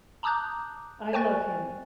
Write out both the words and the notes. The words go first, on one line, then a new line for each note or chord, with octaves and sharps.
I love him.
A5 A#5 D6 D#6 F#6 G6
C5 G5 G#5 C#6 F#6 A6